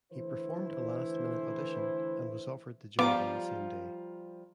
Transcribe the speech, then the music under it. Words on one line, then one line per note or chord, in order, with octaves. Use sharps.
He performed a last-minute audition, and was offered the job on the same day.
D3 E3 A3 E4 B4 C5
F3 G3 B3 F4 F5 A#5 D6